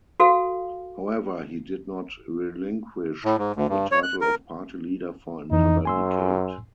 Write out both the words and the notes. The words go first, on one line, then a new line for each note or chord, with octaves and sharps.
However, he did not relinquish the title of party leader for another decade.
F#4 A4 F5
A2
G#2
D2
G2
C#5
F#6
A#4
F2 E3 D#4
F#2 G#5 C6 E6